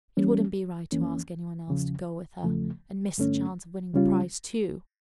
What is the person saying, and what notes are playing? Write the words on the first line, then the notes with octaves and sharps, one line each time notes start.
It wouldn't be right to ask any one else to go with her, and miss the chance of winning the prize, too.
E3 G3 A#3 C#4
F2 E3 A#3 C#4
E2 C#3 F3
E2 C#3 F3 A3
G2 D3 A3 C#4
C#2 C#3 G3 C#4 F4